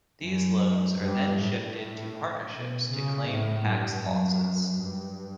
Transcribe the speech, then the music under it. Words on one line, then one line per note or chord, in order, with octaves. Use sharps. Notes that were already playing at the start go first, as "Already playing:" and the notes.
These loans are then shifted to partnerships to claim tax losses.
F#2
G2
A2
B2
C#3
A2
G2
F#2
G2